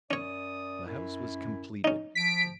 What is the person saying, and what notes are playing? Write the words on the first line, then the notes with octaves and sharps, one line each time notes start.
The house was completed.
F#2 C#4 C#5 D5 D#6
F#2 E4
C#4 D#4
F3 B6 D7